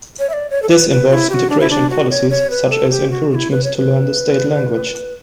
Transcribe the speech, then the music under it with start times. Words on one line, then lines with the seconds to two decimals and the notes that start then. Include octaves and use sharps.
This involves integration policies such as encouragement to learn the state language.
0.19 C#5
0.29 E5
0.33 D5
0.50 C#5
0.62 A4
0.69 B4
0.90 B4
1.09 F#4
1.13 E4
1.30 G4
1.34 F#4
1.50 D4
1.60 E4
1.70 D4
1.90 F#4
2.10 C#5
2.30 C#5
2.50 B4
2.70 A4
2.91 G4
3.10 F#4
3.31 F#4
3.35 E4
3.51 B4
3.64 C#5
3.77 B4